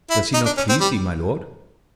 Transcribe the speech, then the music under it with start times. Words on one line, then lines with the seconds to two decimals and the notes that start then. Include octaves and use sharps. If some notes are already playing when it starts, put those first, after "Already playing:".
Does he not please thee, my lord?
0.10 E4
0.34 D#4
0.46 D4
0.57 C#4
0.69 C4
0.80 G3